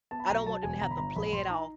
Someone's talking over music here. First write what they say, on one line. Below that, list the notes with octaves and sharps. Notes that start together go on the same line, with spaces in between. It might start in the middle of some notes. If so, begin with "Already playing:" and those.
I don't want them to have to play it off
B3 A5
B5
B1 A#5
F#3 A5
E1 G#5
G1 A#5
B5
G1 A#5
A#1 B5
A#1 C6
D#4 A#5